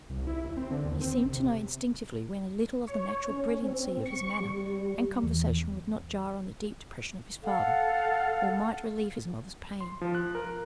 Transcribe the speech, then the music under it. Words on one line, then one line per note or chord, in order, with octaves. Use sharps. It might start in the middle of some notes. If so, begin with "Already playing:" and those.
He seemed to know instinctively when a little of the natural brilliancy of his manner and conversation would not jar on the deep depression of his father, or might relieve his mother's pain.
C2
E4
D#2
C4
D3
D#2
C4
G#1
C3
C#5
C#4
C4
C#6
G3
E2
A4 F5 F#5
C6
F3
F#6
A#4